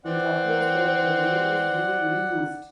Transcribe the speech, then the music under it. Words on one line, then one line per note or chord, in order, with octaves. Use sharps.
It appears that the name is being re-used.
E3 C4 D5 F#5